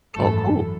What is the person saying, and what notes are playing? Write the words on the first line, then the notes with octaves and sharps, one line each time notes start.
Oh, cool.
G#1 F#2 E3 A3 A4